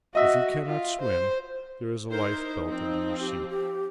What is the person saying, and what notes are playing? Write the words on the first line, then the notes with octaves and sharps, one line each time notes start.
"If you cannot swim there is a life belt under your seat."
F#4 D#5 E5
F4
C5
D#4 E4 A#4 C5
F3 C4
G4
G4